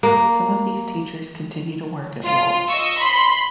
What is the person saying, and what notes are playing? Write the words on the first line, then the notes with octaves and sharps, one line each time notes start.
Some of these teachers continue to work at Lowell.
A#3
F4
D#5 C#6 E6
B5 C6